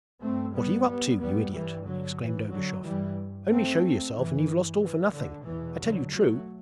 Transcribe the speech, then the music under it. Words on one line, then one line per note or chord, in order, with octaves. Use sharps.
'What are you up to, you idiot?' exclaimed Ergushov. 'Only show yourself and you've lost all for nothing, I tell you true!
G2 A3 C4
G3 B3
G3 B3
G3 B3
G2 E3 G3
D3 F#3
E3
D3 F#3
G2 E3 G3
A3 C4
G2 E3
E3
D3
E2 B2 E3
D3 F#3
F#3 A3